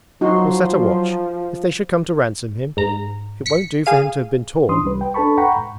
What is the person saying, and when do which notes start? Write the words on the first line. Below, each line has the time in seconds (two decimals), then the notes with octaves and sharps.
'We'll set a watch; if they should come to ransom him it won't do for him to have been torn.'
0.21 F3 F#3 D#4 F#4 C6
2.77 G#2 A#5
3.46 B6 C#7
3.86 G#4 F5 D#7
4.68 E3 F3 C#4 D4 C6 D#6
4.84 C2 G3 B4
5.01 G5
5.14 D4 A4 B4 A5 B5 C#6
5.38 F#5 G5 A#5 B5 C#6
5.56 G#2